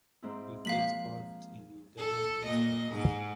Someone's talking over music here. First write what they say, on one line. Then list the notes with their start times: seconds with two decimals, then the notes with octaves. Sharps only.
He takes part in international seminars.
0.23 G#2 C4 E4
0.65 F3 G#3 A#3 F5 B6 F#7
1.98 A4
2.44 A#2 D#5
2.92 G#2